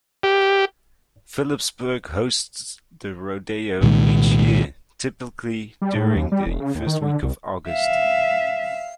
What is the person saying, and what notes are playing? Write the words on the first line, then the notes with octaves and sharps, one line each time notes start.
Phillipsburg hosts the rodeo each year, typically during the first week of August.
G4
C2 A#2 D#3 G#3
G3
A2
D#2
G3
E1
C#3
D#2
D#3
D3
C2
E5 F5